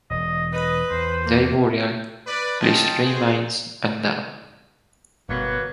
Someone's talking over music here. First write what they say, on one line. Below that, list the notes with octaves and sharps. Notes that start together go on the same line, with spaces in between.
Their burial place remains unknown.
E1 D#5
B4 D#5
E2 C5
A#3
B4 D5
C#4 E4 F4 D#5 G5 A5
F#4 G#4 C5
G1 B2 F#3 A#3 B3